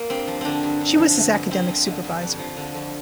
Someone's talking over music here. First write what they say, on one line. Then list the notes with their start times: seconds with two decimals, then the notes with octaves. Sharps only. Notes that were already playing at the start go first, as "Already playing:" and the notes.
She was his academic supervisor.
Already playing: A#3
0.10 G2 C4
0.27 F3
0.41 D3 C4 D4
0.63 G2
0.80 G2
0.98 F3
1.16 D3
1.33 G2
1.51 G2 C4
1.68 F3
1.86 D3
2.04 G2
2.22 F2
2.39 F3
2.57 D3
2.74 F2